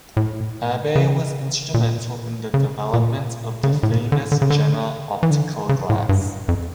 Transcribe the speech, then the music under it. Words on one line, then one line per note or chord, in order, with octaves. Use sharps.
Abbe was instrumental in the development of the famous Jena optical glass.
A2
C#3
A#2
C#3
A#2
C#3
D3
A2
A#2
D3
D3
C#3
D3
E3
D3
C#3
A2
G2
F2